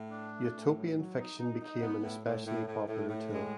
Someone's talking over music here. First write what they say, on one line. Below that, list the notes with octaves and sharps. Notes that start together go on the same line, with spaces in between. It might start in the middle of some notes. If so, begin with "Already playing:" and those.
Utopian fiction became an especially popular tool.
Already playing: A2
D4
A3
A2
F#3
F#3
D#4
D#4
D#4
B3
A2
A2
A2
A2
A2
A2
G#3